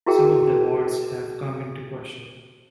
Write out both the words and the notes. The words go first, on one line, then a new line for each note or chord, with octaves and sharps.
Some of the awards have come into question.
E4 F#4 G#4 A#4 G5